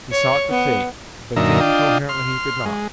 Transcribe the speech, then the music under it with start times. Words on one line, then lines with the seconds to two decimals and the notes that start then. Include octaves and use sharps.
He sought to think, but thinking coherently he could not.
0.12 C#5
0.50 B3
1.36 F#2 A#2 D3 D#4 E5 A#5
1.60 D4 F4 D#5 G5
2.09 C6 F6
2.65 G#3